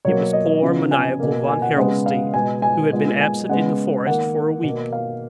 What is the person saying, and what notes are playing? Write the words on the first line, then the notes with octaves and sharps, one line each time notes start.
It was poor, maniacal Von Harrelstein, who had been absent in the forest for a week.
B2 F#3 A#3 C#5
D#5
C#3 F3 B3
G#5
B2 A#3
G#5
F#5
C#3 G#3 B3
F5
B2 G#3 B3 G#5
G#5
A#2 G#3 B3
G#5
C#3 G#3 B3 F#5
D#3 A#3 F#5
B2
A#3
F5